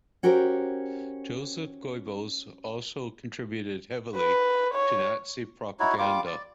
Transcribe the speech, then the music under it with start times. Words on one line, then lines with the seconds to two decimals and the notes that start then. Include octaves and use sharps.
Joseph Goebbels also contributed heavily to Nazi propaganda.
0.23 C#4 F#4 G4 A#4 C5 C#5
4.16 B4
4.74 C#5
5.80 D#4 E4 F#4 C#5
5.99 G3 A#3 F4 D6
6.26 D5